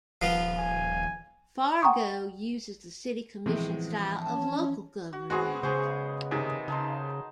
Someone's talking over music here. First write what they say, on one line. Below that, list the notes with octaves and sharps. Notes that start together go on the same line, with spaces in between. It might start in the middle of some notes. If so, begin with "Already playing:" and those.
Fargo uses the city commission style of local government.
D#1 F3 B3 F4
G#5
F#5 G5 A#5 C6 C#6 D#6
A2 C3 E3 F3 G#3 B3
C#4 A5
F#4
G#3 B3 C4 F#4 G#4
C#3 G#4 C5 C#6
C3 D#3 G#4
C#3 D#4 A5 C6